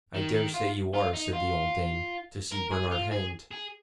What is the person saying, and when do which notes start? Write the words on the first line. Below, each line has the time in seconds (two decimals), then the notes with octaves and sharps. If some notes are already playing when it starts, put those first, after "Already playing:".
"I daresay you are," said the old dame, "to see Bernard hanged."
0.14 D#3
0.34 D#3
0.54 F4
0.93 F4
1.13 D#4
1.33 F4
2.52 A#4
2.72 G#4
2.91 F4
3.12 G#4
3.51 G#4